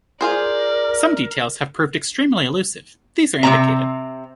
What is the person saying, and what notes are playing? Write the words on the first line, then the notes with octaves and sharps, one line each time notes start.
Some details have proved extremely elusive, these are indicated.
F4 G#4 A#4 C5 D5
C3 C4 A#5